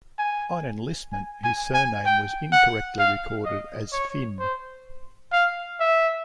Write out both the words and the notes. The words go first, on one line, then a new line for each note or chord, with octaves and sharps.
On enlistment his surname was incorrectly recorded as "Fynn".
G#5
G#5
G#5
G#5
G5
F#5
F5
D#5
C#5
C5
F5
E5